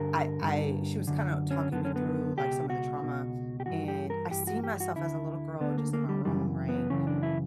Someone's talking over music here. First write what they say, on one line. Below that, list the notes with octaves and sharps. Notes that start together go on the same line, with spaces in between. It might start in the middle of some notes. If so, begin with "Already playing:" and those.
I I she was kinda talking me through, like, some of the trauma, and I see myself as a little girl just in my room, right?
Already playing: G2 D3 A#4
G2 D3
F#2 D3
C#4
F#2 D3 B3
C#4
B3
C#2 B2 G4
F#4
C#2 B2
G4
G2 E3 F#4
G4
A#4
G2 E3 G4
F#4
G4
F#4
D2 D3 E4
D2 D3 B3
A#3
A#3
G3
F#2 C#3 E3 G3
B3
F#2 C#3 E3 C#4
D4
E4